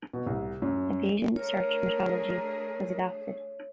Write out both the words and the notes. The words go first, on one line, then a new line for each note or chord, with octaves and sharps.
A Bayesian search methodology was adopted.
B2
C2
F#2
A3 D4 G#4 A#4 C#5